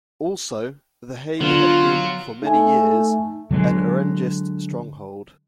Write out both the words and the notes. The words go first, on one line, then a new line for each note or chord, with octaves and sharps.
Also, The Hague had been for many years an Orangist stronghold.
D3 F#3 B3 F4
A3 D#4 G#5
D3 F#3 G#3